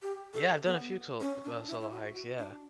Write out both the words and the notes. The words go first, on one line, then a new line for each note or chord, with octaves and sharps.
Yeah, I've done a few tol uh, solo hikes, yeah.
G4
A4
B3
C#4
D4
E4
E4
F#4
F#4
D4